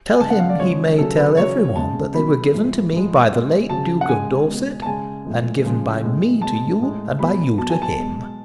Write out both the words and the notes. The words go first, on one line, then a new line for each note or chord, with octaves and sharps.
"Tell him he may tell every one that they were given to me by the late Duke of Dorset, and given by me to you, and by you to him."
G#5
C#3 G#3 A5
F#5
F5
D5
C#3 F3 G#3 C#5
C#3 F#3 A4
B4
C#3 F#3 C#5
C#3 G#3 A5
B2 F#3 B5
A2 F3 G#3
A2 F3 G#3
B2 G#3
C#3 F#3 A5
F#5
C#3 G#3 G#5
B2 G#3
A5
C#3 G#3 G#5
A2 F3 G#3
C#3 F3 G#3
A2 G#3
B2 G#3 A5
A2 G#3
B2 G#3 B5
B2 F#3 A5
G#5
A5
B2 G#3